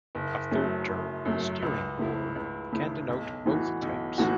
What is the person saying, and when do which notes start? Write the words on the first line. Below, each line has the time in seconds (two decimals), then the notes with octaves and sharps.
A third term, steering oar, can denote both types.
0.15 F#1
0.51 F#2 F#3 A3
0.89 F#1
1.25 F#2 F#3 A3
1.62 C#2
1.98 C#3 A3 E4
2.36 C#2
2.72 C#3 A3 E4
3.09 B1
3.46 A2 E3 A3 F#4
3.82 B1
4.18 A2 E3 A3 F#4